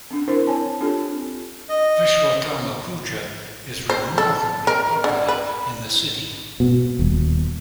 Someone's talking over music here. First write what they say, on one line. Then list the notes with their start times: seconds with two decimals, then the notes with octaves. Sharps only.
Vishwakarma Puja is remarkably popular in the city.
0.11 C4 D4
0.28 D4 E4 A#4 C5
0.47 C#5 G#5 A5
0.80 C4 D4 F4 G4 A4
1.69 D#5
3.90 C5
4.18 A4
4.67 A#4
5.04 D3
5.28 B4
6.60 B2
6.99 D#1